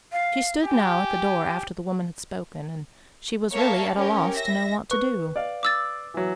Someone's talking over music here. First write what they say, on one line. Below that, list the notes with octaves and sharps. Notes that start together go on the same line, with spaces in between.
She stood now at the door after the woman had spoken, and she was really at a loss to know what to do.
F5
G4 G#5
A#3 C#5 E5 F5 A5
C#4 G4 A#4
E5 A#6
B4 C#6
D5 F5
D6 E6 A6
E3 F#3